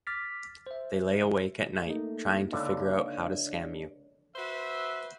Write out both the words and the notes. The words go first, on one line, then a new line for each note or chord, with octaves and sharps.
They lay awake at night trying to figure out how to scam you.
D6 F6 A6 B6
C5 E5
A3 A#3 D#4
C#2 D3 D4
F#4 B4 C5 E5